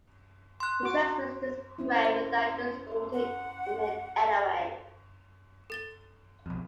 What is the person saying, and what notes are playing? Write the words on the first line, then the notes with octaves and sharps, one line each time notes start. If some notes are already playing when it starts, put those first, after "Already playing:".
He transmits this prayer without distorting it in any way.
C6 F#6
F#4 D6
C4 C#4 E4
F#5
A4 A6 G7
B1 F2